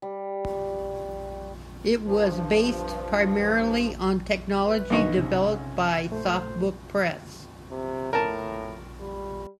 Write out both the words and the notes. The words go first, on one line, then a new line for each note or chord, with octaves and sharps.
It was "based primarily on technology developed by SoftBook Press".
G3
G2 F3
B4
B1 G2 D#3 F#3 D4 D#4 D#5 C#6
C3 C#4
A#2 A3 C5
C3
A2 A#4 A5
G3